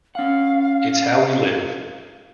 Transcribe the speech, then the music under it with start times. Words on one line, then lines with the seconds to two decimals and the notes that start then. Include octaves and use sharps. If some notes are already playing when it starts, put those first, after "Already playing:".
It’s how we live.
0.15 C#4 F5 F#5